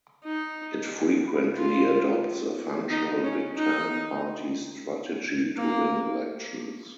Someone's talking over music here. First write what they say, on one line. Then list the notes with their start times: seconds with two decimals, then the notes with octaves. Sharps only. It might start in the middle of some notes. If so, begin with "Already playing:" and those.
It frequently adopts a functional big tent party strategy to win elections.
0.24 D#4
1.56 F4
2.90 D#4
3.23 C#4
3.56 D#4
5.56 A#3